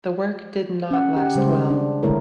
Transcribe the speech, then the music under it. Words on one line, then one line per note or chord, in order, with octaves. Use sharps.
The work did not last well.
C#4 F#5
G4 F#5
C#3 G3 G#3 C5
D4
D3 G#3 A3 E4 A#4 C#5